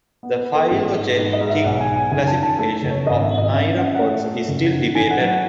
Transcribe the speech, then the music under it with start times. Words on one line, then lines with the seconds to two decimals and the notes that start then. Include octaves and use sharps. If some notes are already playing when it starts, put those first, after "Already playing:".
The phylogenetic classification of myriapods is still debated.
0.23 B3
0.39 B4
0.46 B3
0.55 A4
0.70 A1
0.94 G#2
1.18 G#2 B4
1.33 D#5
1.41 G#2
1.49 E5
1.64 B1 F#5
1.81 G#5
1.88 B1
1.96 G#5
2.11 F#1 G#5
2.28 A5
2.35 D#3
2.43 A5
2.59 A3 A5
2.82 F#1
2.91 C#5
3.06 G#1 D#5
3.22 E5
3.30 G#1
3.38 D#5
3.53 F#2 E5
3.77 F#2 F#5
3.86 E5
3.95 F#5
4.01 A3
4.24 A3
4.48 F#1
4.72 D#3
4.95 A1 G#5
5.11 F#5
5.19 F#3
5.27 F#5